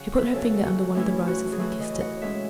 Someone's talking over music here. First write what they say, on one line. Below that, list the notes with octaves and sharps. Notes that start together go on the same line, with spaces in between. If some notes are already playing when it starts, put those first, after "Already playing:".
She put her finger under one of the roses and kissed it.
Already playing: C#3 F#3 C#4 F#5
E5
C#3 F#3 C#4 A4
F#4
A2 E3 A3 C#4 E4
F#4
G#4
A2 E3 A3 C#4 F#4
D#5
F#5
A2 G#3 C#4 E5